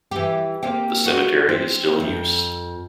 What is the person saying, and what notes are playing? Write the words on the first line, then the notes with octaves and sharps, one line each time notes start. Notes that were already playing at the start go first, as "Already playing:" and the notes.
The cemetery is still in use.
E3 G4
A#3 C4 G4
F#4
C4
F2